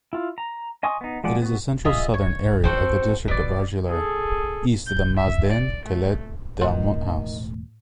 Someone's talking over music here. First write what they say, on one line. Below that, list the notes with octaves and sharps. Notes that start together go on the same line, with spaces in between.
It is the central-southern area of the district of Argelers, east of the Mas d’en Quelet d’Amunt house.
E4 F4
A#5
D#5 G#5 C6 C#6 D#6
B3 D#4
F3 G#3 D5 F#5
B3 F#4
F4 G#4 D#5 E5
C#5
C4 F#4 A4 C5
B2 D5
G#4 A4
G6
E5
D5
A3
E1 A2 D#3 F4 F#4 B4